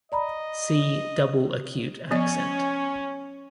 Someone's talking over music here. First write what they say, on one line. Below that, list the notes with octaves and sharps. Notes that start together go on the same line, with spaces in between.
See double acute accent.
D5 D#5 A#5 B5
F3 B3 C#4 D#5